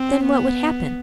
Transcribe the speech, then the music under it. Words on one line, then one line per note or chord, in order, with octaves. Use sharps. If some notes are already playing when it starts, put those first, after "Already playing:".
"Then what would happen?"
Already playing: C4
B3